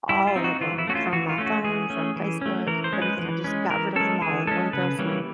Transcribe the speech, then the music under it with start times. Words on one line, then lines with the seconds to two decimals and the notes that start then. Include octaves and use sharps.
all of 'em from my phone, from Facebook, everything. I just got rid of ‘em all in one fell swoop.
0.09 G3 E4
0.27 F4
0.36 C4 D#4
0.44 F#4
0.61 E3 F4
0.78 E4
0.87 A3 C#4 F#4
0.95 F4
1.13 E3 F#4
1.30 F4
1.38 A3 C#4
1.46 F#4
1.64 E3 G#4
1.90 A3 C#4
2.16 E3
2.41 A3 C#4
2.67 E3 A#4
2.84 C5
2.93 G#3 C#4
3.02 B4
3.19 E3
3.44 G#3 C#4
3.70 E3 A#4
3.96 G#3 C#4 A4
4.22 E3 G#4
4.47 G#3 C#4 A4
4.73 C#3 B4
4.99 E3 G3 A#3 C#4